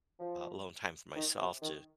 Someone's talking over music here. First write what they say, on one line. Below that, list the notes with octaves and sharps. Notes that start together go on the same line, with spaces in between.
alone time for myself to
F3
D#3
C3
D#3